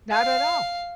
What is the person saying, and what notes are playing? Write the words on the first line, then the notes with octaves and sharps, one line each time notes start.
Not at all.
F5